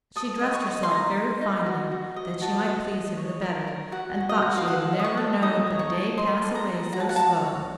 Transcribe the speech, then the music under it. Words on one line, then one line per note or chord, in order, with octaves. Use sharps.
She dressed herself very finely, that she might please him the better, and thought she had never known a day pass away so slow.
A4 D#6
D#5
C#6
D#5
C6
D#4 A#5
D#4
D#4
F#4
F#4
D#5
F#4 A5
D#5
D#5
C#5
A#4
A#4
F#4 F#5
F#4
D#5
F#4
F5
A4 F#5
D#5
D#6
C#6
A4
D#4 D#6
C#5
C#6
A4
D#5 C6
A4
A#5
A4
F#4 A#5
A5
F#5
F#4 A5
C#5